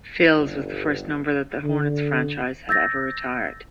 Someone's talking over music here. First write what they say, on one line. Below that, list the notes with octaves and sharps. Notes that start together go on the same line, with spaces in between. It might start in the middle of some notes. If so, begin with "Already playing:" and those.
Phills was the first number that the Hornets franchise had ever retired.
G1
D3
E6 G6 A6 A#6